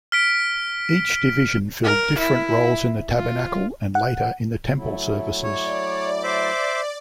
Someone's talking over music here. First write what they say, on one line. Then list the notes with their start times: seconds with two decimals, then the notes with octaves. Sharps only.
Each division filled different roles in the Tabernacle and later in the Temple services.
0.12 F6 B6 D7
1.84 A#4
2.18 E4
3.15 F4
3.95 F#5
4.77 F#3 A3 E4
5.43 C#5 D5
6.24 C5 E5 D6